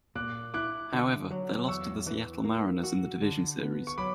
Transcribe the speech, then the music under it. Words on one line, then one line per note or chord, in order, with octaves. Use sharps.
However, they lost to the Seattle Mariners in the Division Series.
A#2 D6 F#6
E4 D6 F#6
D3
F#3
E2 C#6 E6
E3
A#3
F#4
D3
B3
C#6
F#3 B5 D6